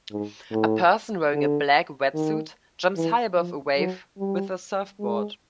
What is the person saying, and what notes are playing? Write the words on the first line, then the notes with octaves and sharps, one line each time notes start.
A person wearing a black wetsuit jumps high above a wave with a surfboard.
G#2
A2
D3
D#3
E3
F3
F#3
G3
G#3